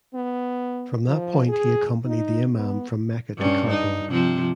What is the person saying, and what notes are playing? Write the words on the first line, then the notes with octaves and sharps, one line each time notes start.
From that point he accompanied the Imam from Mecca to Karbala.
B3
F3
G#4
D#4
B3
G2 C#4
D#4
C3 F3 C4